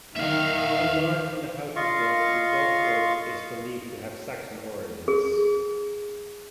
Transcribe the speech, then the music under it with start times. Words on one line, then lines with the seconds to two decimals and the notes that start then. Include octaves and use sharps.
Enlarged when the house was built, the dovecote is believed to have Saxon origins.
0.16 D#3 E5 F5
1.76 F4 D#5 F5 C6 C#6
5.08 G#4